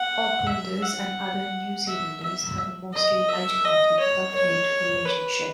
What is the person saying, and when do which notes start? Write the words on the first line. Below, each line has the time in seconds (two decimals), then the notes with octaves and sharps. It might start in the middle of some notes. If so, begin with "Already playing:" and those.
Aucklanders and other New Zealanders have a mostly light-hearted "love-hate" relationship.
Already playing: F#5
0.47 E5
0.82 F#5
1.87 E5
2.23 E5
2.93 D#5
3.29 E5
3.64 D#5
3.99 C#5
4.35 C#5
5.05 B4